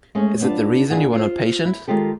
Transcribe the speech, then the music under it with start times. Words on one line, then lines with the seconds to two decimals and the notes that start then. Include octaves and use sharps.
Is it the reason you were not patient?
0.15 G#3 A3 C#4
0.41 B3 D4 F4 A5
0.90 D#2 D4 F4 G#4 F#5
1.13 F4 C5
1.65 E4
1.88 D#3 G#3 F4 G4 A4